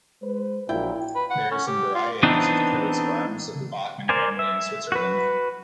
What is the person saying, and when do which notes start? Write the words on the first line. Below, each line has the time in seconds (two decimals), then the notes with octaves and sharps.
There are some varieties of the coats of arms of the Bachmann family in Switzerland.
0.22 G#3 B4 C5
0.69 A#1 A#2 F#3 E4 G5
1.15 B4
1.31 F#5
1.51 C#4
1.67 G4
1.95 F4
2.23 E3 B3 C4 D4 D#4
4.09 A#4 C5 D5 G#5
4.39 E5
4.92 F#4 B4